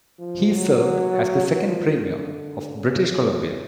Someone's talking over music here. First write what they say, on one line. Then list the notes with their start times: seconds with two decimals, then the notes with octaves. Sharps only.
He served as the second Premier of British Columbia.
0.19 F3
0.55 F#3
1.64 F3
2.01 D3
2.75 C#3